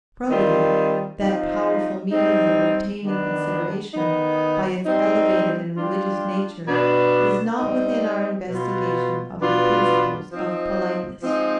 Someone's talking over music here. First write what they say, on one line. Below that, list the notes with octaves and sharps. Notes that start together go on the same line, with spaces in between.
Probity, that powerful means of obtaining consideration, by its elevated and religious nature, is not within our investigation of the principles of politeness.
D#3 G3 C4 F4
F3 C4 D#4
G3 C4 D#4
D#3 B3 D4
D#3 B3 D#4
G3 C4 D#4
G3 D4 F4
B2 B3 D4
G3 C4 D#4
B2 B3 F4
B2 B3 D4 F4
F3 C4 D#4
F3 G#3 C4 D#4